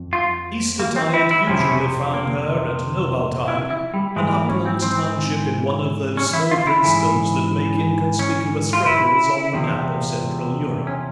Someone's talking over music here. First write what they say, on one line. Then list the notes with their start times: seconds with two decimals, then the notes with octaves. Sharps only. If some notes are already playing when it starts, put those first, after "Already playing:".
Eastertide usually found her at Knobaltheim, an upland township in one of those small princedoms that make inconspicuous freckles on the map of Central Europe.
Already playing: F2
0.13 F4
0.80 A#3
0.96 C4
1.14 E4
1.31 E4
1.47 F2 C3 F3 C#4
1.58 E4
1.68 C#4
2.14 A#3
3.48 E4
3.70 E4
3.94 G3
4.16 G#2 E3 G#3
4.33 A#3
4.49 C#4
4.66 C4
4.82 C4
6.17 C#4
6.33 E4
6.51 F4
6.67 E4
6.84 G#2 E3
8.19 C#4
8.73 F4
8.86 E4
9.53 E2 C3 F3
10.87 C#4